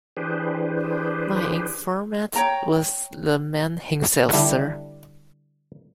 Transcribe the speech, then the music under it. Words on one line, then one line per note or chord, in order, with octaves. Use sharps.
My informant was the man himself, sir.
E3 D4 G4 G#4 B4 C5
C#5 G5 A#5
D3 G3 D4 E4